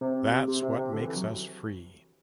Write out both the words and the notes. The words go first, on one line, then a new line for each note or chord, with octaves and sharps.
That’s what makes us free.
C3
C3
C3
C3
D3
E3
F#3